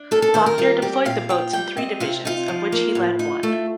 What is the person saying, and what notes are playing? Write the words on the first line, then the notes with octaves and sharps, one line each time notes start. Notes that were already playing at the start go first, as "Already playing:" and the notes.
Lockyer deployed the boats in three divisions, of which he led one.
Already playing: D4
D#3 A4
A4
D#3 C5
A#4
G3 F4
C4 G4
A#2 F5
F4 G5
G3 G5
C4 D#5
C3 F4
D#4 F4
F3
A#3
A2
D#4
A3